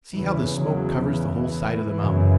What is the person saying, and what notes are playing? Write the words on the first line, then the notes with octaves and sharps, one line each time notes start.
See how the smoke covers the whole side of the mountain.
E2 C#3 E3
F#3
E3
F#2 C#3